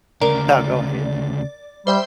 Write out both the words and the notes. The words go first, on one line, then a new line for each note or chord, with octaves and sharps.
Oh, go ahead.
D2 C#3 A#4 D5
G3 C5 E5 G5